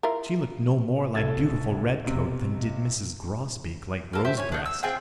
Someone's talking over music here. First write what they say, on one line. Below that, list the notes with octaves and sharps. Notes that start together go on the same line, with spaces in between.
She looked no more like beautiful Redcoat than did Mrs. Grosbeak like Rosebreast.
E4 F4 A#4
D1 C2 A4 G#6 A6
B1 C3
A#3 A4
G4 C5 E5
C#5 G#5
D4 D#4
E6
C4 F4 G#4 G5